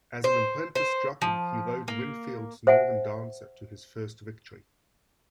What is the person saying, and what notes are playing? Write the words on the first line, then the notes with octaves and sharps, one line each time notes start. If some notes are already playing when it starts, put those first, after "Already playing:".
As an apprentice jockey he rode Windfields' Northern Dancer to his first victory.
C5
C5
F3
A#3
C5 E5 F#5 G#5